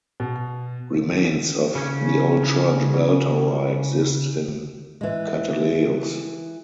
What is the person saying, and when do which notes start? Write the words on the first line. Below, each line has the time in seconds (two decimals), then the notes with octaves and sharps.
Remains of the old church bell-tower exist in Kateleios.
0.20 B2
1.75 C#3 C#4
5.01 E3 G#3